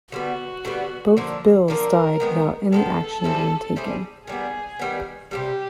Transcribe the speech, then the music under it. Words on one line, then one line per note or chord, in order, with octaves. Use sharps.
Both bills died without any action being taken.
D3 G3 B3 F#4
D3 G3 B3
D3 F3 A#3 D4
D3 F3 A#3 D4 A#4
D#3 G#3 B3
D#3 G#3 B3 A4
G3 C4 E4 G#4
G3 C4 E4 G#4
D#3 G3 B3 G#4
D#3 G3 B3
C3 D#3 G3 G4